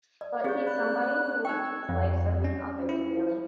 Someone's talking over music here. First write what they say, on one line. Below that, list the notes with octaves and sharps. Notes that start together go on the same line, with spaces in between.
But he's somebody who lived his life serving others, really.
D5
C4 G4 G#4 D5 F5 G6
D5 B5 F#6
D#4 G5 C#6 E6 G#6
F2
C#4
E4